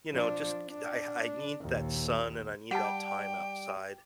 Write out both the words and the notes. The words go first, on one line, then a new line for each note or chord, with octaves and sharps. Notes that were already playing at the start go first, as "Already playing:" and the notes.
you know, just c I I need that sun, and I need that time outside.
F3 D4
D4
A#1 D#2
G3 G4 F#5 G5 A5